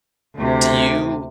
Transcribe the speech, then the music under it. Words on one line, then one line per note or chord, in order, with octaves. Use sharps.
Do you
D2 C3